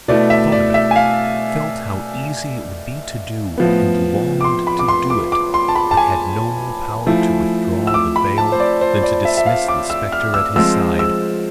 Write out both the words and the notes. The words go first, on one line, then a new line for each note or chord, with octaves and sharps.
He thought of it, felt how easy it would be to do, and longed to do it; but had no more power to withdraw the veil than to dismiss the spectre at his side.
B2 A3 E4 D5
E5
D5
E5
G#5
F5
A2 F3 B3
D6
C6
B5
D6
C6
D6
D6
C6
A5
B5
A5
G#5
F3 A3 E4
E6
D6
B5
A5
C5
D5
C5
D5
E5
E5
F5
D6
E6
F6
E6
F3 G#3 C4 E6
E6